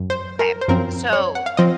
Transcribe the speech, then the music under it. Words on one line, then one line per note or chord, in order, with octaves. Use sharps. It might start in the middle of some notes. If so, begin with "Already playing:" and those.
okay. So,
Already playing: F#2
C5
A#4
C5
F#2 F3 C4 A#4
C#5
F#5
F5
F3 C4 D#5